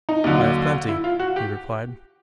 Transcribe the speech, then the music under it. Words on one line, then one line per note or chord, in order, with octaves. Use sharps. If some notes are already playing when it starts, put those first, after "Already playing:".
"I have plenty," he replied.
D#4
D#2 D3 F#3
E4
F4
F#4
G4